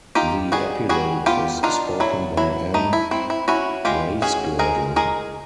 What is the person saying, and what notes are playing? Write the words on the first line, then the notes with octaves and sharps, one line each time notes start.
The epilogue was spoken by Anne Bracegirdle.
D#4 F4 G4
G3 F#4 G#4
G3 F#4 G#4
B3 F4 G4
D4 D#4 F4
F#3 E4
F#3 E4
A3 D#4
E4
C4 E4
E4
C#4 E4 F#4
G#3 F4 G4
C#4 F#4 G#4
G#3 G#4 A#4
G#3 G#4 A#4